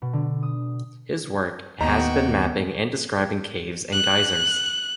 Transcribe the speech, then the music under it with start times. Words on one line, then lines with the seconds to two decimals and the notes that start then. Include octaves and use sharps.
His work has been mapping and describing caves and geysers.
0.02 B2
0.13 D3
0.43 D#6
1.81 D#2 B3 F#4 D#5 G5 A#5
3.92 F#6